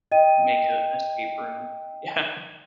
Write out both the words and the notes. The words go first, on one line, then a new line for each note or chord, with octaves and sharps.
make a escape room, yeah.
D#5 G5 D#7